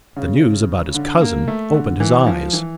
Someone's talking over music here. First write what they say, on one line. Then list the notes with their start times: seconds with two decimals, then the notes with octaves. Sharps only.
The news about his cousin opened his eyes.
0.16 C#3
0.94 D3
1.21 A#3
1.48 A3
1.74 D3
2.00 E3
2.27 F3
2.53 E3